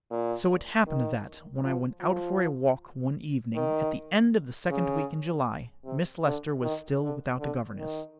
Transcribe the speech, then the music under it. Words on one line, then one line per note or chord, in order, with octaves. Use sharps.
So it happened that, when I went out for a walk one evening, at the end of the second week in July, Miss Lester was still without a governess.
A#2
D#3
F3
F3
D#3
C#3
C3
D3
D#3
D3
D3
D#3